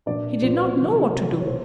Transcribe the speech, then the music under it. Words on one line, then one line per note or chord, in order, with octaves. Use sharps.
He did not know what to do.
A#2 F3 D4 D5
A#2 F3 C5
B4
C5
C3 D#3 F#3
C3 D#3 F#3
C#5
B2 F#3 C5